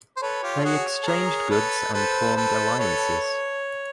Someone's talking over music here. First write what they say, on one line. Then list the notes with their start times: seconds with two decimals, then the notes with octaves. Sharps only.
They exchanged goods and formed alliances.
0.17 C5
0.22 A4 B4 C#5
0.43 F4 G4
0.60 A4
0.65 F#4 G#4
1.03 A4
1.07 G#4 A#4
1.50 A4 B4
1.93 A4 B4 C5
2.36 A4 B4
2.79 A4 B4 C#5